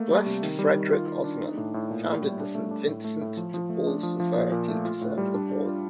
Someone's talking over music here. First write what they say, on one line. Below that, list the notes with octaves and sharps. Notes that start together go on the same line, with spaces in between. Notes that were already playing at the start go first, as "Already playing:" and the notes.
Blessed Frederic Ozanam founded the St. Vincent de Paul Society to serve the poor.
Already playing: A3 A#3
G3
C3
D#3
G3
D#3
F4
F4
D4
D#4
A2
A2
A#2
A#2
G3
D4
A3
D4
A2
A3
A2
F3
F3
A3
D4
F3
F3
A#2
A#2
A3
F4
A2
G3
D4
D4
F4